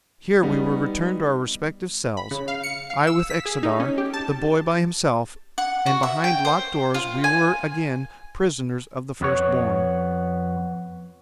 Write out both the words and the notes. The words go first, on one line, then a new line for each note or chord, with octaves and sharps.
Here we were returned to our respective cells; I with Xodar, the boy by himself; and behind locked doors we were again prisoners of the First Born.
G3 B3 D#4
B5
C#3
F5
C#7
F5
E6
B6
G#4
D#4
C#4
G4
A5
F#5
F#4
E5
G5
C5
F4
G#5
F2 B3 C#5